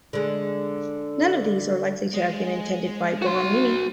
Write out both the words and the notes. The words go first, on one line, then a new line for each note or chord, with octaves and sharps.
None of these are likely to have been intended by Borromini.
D3 G#3
G#3
F#4 C6